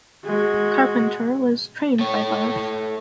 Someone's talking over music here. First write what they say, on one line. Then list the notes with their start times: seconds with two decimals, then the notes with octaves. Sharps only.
Carpenter was trained by Barth.
0.24 G#3 F#4
1.99 A3 C#5